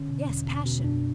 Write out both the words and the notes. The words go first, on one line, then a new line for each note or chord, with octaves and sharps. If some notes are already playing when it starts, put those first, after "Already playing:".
Yes, passion.
Already playing: D3 C#4
B2
E2
B2
B2
F#2 D4